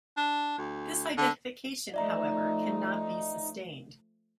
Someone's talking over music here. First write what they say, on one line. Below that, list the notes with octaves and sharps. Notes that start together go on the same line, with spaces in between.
This identification, however, cannot be sustained.
D4
D2
D3
F3 A3 D#4 D5 E5 A#5